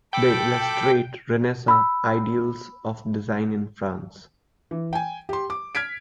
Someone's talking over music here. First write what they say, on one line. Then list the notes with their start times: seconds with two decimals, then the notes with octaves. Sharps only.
They illustrate Renaissance ideals of design in France.
0.13 A4 G5 B5 D6
1.68 B5 E6
4.71 E3
4.93 G5 G#5
5.29 G4 C6
5.50 D6
5.75 F6 G#6 B6 D7